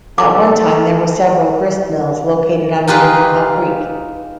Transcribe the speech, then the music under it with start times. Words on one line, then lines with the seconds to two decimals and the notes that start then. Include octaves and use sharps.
At one time there were several grist mills located on Minnehaha Creek.
0.18 D#4 A4 D6
2.87 D#4 F4 G4 G#4 B4